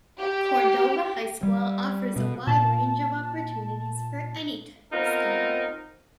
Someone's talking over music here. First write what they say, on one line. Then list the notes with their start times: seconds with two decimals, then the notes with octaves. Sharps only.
Cordova High School offers a wide range of opportunities for any type of student.
0.20 G4
1.43 G3
2.16 B2
2.47 A#2 A5
4.93 B3 C4 D#4 F4 A#4